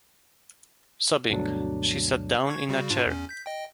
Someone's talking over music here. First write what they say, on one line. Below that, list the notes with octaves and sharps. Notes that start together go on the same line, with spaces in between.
Sobbing, she sat down in a chair.
D2 G2 B2 D3 F#3 D4
C#6 G#6
C#3 G3 F#4
G#2 D4 F4
E2 C#4
G6 B6
D#5 G5